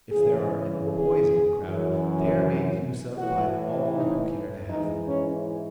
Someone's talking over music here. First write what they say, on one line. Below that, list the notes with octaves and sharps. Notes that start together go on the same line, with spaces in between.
If there are any boys in the crowd, they are made use of by all who care to have them.
E2 C#3 E3 G#4
G#4
F#2 E3
A2 E3 F#4
D#4
G#2 E3 D#4
C#4